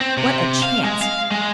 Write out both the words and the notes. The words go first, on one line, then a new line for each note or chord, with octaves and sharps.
What a chance!
C4
C3
F5
G#3
F5
G#3